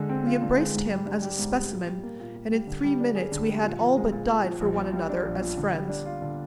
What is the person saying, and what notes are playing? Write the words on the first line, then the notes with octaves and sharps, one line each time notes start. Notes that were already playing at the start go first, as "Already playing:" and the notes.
We embraced him as a specimen, and in three minutes we had all but died for one another as friends.
Already playing: D3 G#3
C4
F4
D3
G#3
G#2
G3
D4
G4
G#2
G3
A#2
G3
A#3
A#2
A#2
G3
D3
G3
D4
G#4
D3
G3
A#2
F3
G#3
A#2
A#2
F3
A#1
A#2
G3
D4
A#1
A#2
D3
G3
D4
F4
D3